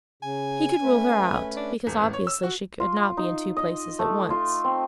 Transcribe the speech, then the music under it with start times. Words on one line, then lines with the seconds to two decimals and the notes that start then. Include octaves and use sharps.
He could rule her out, because obviously she could not be in two places at once.
0.23 C#3 G#5
0.83 A3 C#4 B4
1.57 D4
1.87 E1
2.01 A1
2.13 C#5
2.27 E6
2.43 F#4
2.80 F4
3.17 D#4
3.57 D#5
3.99 A3
4.30 F4
4.64 C4